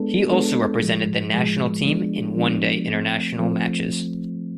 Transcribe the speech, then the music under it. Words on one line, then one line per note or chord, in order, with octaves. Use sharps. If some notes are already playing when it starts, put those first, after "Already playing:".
He also represented the national team in One Day International matches.
Already playing: G#3 B3 D4 A4
G#3 B3 D4 A4
A2 F3 G#3
A2 F3 G#3
F3 G#3 B3 D4
F3 G#3 B3 D4
F3 A3 C4
F3 A3 C4